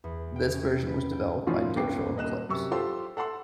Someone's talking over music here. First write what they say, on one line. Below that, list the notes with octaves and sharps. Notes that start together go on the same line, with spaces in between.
This version was developed by Digital Eclipse.
E2
G5
C#4
B4
G5
G#1 A2 F3 C#4 F4
F#1 C#2 B3 G5 D6 C7
D#1 A#3 D#5 F#6 E7
F#2 C3 C#6 E6
F4 G4 A4 C5 F5 C6
A4 F#5 A5 C6 E6